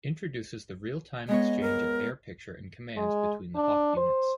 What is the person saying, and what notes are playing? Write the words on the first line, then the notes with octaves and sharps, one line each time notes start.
Introduces the real-time exchange of air picture and commands between the Hawk units.
G#3 B3 C#5 D#5
A#4
G#3
D4
C5